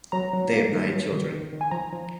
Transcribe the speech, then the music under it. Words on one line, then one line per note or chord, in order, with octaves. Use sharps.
They have nine children.
F#3 A#5
F#3
A#3
D#3
F#3
D#3
D#3
D#3
G#5
F3 A#5
F3